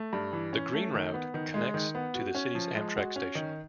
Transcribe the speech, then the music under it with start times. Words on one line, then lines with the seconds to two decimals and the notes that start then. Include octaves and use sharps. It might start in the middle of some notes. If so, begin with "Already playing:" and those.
The Green Route connects to the City's Amtrak station.
Already playing: A3
0.13 G2
0.33 E3
0.53 C#4
0.73 A3
0.94 D#3
1.14 B3
1.34 D#3
1.54 G#3
1.74 D#3
1.95 B3
2.14 F#4
2.35 C#4
2.55 F3
2.75 G#3
2.95 F#4
3.16 C#4
3.35 D#3